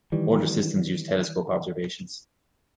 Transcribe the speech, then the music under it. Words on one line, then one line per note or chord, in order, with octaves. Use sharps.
Older systems use telescope observations.
D#3 E3 G3